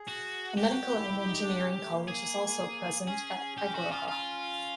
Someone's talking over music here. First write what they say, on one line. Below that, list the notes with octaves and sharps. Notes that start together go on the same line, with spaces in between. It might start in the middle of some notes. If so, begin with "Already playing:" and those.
A Medical and Engineering college is also present at Agroha.
Already playing: G#4
F#4
G4
F#4
F#4
E4
E4
D#4
D4
C#4
A3
A#3
A#3 G#4
C#4 G#4
G4
F#4
F4
F4